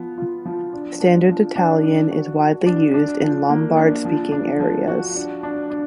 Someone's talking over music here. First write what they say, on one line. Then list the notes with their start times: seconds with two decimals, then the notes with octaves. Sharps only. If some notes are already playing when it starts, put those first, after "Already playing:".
Standard Italian is widely used in Lombard-speaking areas.
Already playing: F3 B3
0.18 F4
0.45 F3
0.73 D4
1.00 D4
1.29 F3
1.56 D4
1.83 D4
2.11 F#4
2.39 F#4
2.66 D4
2.94 D4
3.22 F3
3.49 A#3
3.77 D4
4.05 F3
4.32 D4
4.60 F3
4.87 F#4
5.15 D4
5.43 D4
5.70 D4